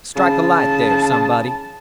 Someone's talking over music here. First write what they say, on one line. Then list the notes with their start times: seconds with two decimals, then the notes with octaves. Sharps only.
Strike a light there, somebody.
0.16 C#3 A5